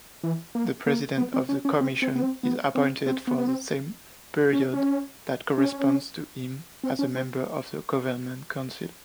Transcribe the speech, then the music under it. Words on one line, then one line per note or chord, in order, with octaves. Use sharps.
The president of the Comission is appointed for the same period that corresponds to him as a member of the Government Council.
E3
A#3
A#3
B3
C4
C#4
C#4
C4
C4
B3
C4
B3
C4
C4
B3
B3
C4
C#4
C#4
C#4
C4
C#4
C4